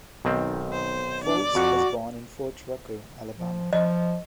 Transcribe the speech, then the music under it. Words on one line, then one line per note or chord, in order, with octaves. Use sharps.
Forbes was born in Fort Rucker, Alabama.
B1 D#3 C4
C5
D4 D5
F2 F#4 F#5
F3
F3 D#5